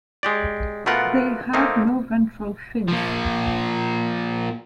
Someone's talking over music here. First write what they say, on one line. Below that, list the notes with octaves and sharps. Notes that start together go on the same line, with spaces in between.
They have no ventral fins.
G#3 G4 D5
B2 A3 B3 F4 A#4 F#5
A3 A#3 C4 D#4
A#2 F3